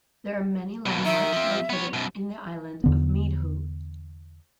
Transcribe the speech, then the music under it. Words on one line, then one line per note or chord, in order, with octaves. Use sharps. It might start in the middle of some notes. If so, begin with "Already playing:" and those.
There are many landmarks located in the island of Meedhoo.
D#2 B2
D#3 E5
F3 C4
B3 C#5
F#2 B2
E2 D3 B3